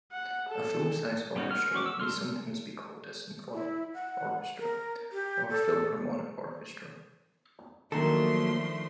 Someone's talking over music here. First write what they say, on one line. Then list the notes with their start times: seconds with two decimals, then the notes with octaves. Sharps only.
A full-size orchestra may sometimes be called a "symphony orchestra" or "philharmonic orchestra".
0.12 F#5
0.48 A4
1.36 G3 B3 C#4 D#4 F#4
1.51 G#3 A#4 F6
1.73 C#4 F#4 C#6 D6
1.86 E6
2.00 A4 A#4 C6 F6
3.53 E4
3.94 F#5
4.60 A#4
5.13 G4
5.50 A4
7.92 D#3 F3 F#3 A3 A#3 D4 A4 C6